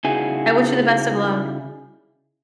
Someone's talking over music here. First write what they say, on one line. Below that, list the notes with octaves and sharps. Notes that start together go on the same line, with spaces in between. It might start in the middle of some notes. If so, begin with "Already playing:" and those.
I wish you the best of luck.
C#3 D#4 E4 F#4 G#4 G#5